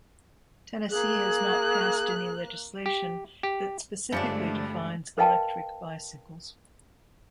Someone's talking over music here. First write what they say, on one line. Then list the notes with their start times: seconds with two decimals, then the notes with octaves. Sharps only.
Tennessee has not passed any legislation that specifically defines electric bicycles.
0.90 A#3 G#4 F#6
2.86 G4
3.43 G4
4.12 G2 D3 F3 G#3 A3 C#4 D4 C#7
5.18 A#4 B4 D#5 F5 G5 A5